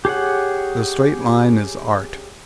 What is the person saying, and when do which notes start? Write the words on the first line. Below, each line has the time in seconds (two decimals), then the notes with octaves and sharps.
The straight line is Art.
0.05 G4 G#4 C#5 F#5